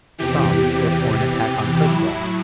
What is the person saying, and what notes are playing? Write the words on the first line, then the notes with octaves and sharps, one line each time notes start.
Some were for an attack on Kirkwall.
E2 C3 E3 G4
A2 E4
F#3